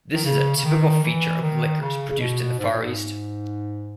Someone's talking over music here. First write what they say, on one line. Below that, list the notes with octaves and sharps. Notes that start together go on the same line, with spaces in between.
This is a typical feature of liquors produced in the Far East.
D#3
C#3
C#3
D#3
E3
D#3
C#3
C#3
B2
G#2
A#2
G#2